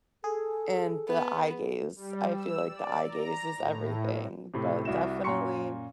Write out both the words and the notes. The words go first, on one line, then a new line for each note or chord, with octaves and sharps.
and the eye gaze, I feel like the eye gaze is everything, but definitely,
G#4 A4
B3
G3
E6
D5
A#5
A2
A2 C3
C2 E4 F#4 E7
F#2 A#2 A#5 C6 C#6 C#7